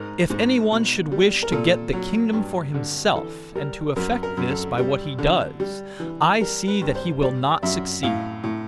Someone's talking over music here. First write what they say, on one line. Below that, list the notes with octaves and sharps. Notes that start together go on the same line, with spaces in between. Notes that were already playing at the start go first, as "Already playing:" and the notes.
If any one should wish to get the kingdom for himself, and to effect this by what he does, I see that he will not succeed.
Already playing: G#2 A#4
G#2
B2
G3
A#4
A#2 A4
F#3
G2
D3
E3 A4
G3 A#4
F#2 A#4
A#4
F#2
A4
G3
D3
G3
E3
G3 A#4
B4
G2
C5
G3 D5
F#2 E5
A2 F5
A2